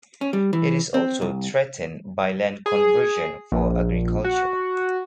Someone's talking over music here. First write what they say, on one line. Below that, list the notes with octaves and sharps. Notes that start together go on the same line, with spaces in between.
It is also threatened by land conversion for agriculture.
C#4
G3
E3
C4
C2
G#4
A#1
F#4